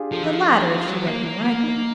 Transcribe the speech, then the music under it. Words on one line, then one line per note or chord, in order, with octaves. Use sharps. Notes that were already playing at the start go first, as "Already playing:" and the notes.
The latter, if she read him rightly.
Already playing: D4 F4 G4 G#4
F3 A4
E3
F3
F#3
A#3
A#3
A#3
D#4
D#4